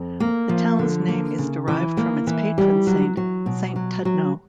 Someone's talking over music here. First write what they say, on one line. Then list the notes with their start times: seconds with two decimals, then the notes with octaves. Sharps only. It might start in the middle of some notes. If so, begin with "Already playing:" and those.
The town's name is derived from its patron saint, Saint Tudno.
Already playing: F2
0.20 A#3
0.49 F3
0.79 D3
1.08 A#3
1.38 C#3
1.68 E3
1.97 A#3
2.27 E3
2.58 G3
2.87 F#3
3.17 F#3
3.46 B2
3.76 F#3
4.05 F#3